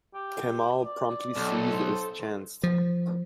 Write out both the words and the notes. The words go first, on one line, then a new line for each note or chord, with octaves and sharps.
Kemal promptly seized his chance.
G4
D5
B1 A4
C5
F3